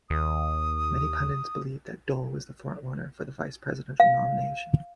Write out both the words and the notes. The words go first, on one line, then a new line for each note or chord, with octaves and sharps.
Many pundits believed that Dole was the frontrunner for the Vice Presidential nomination.
D#2 D#6
F5